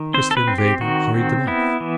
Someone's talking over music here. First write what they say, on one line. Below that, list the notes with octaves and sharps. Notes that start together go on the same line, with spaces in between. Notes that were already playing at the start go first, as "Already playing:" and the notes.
Christian Weber hurried them off.
Already playing: D#3
C4 C5
A4
B4
C4
G4
D#3 F#4
C4
B3 E4
E3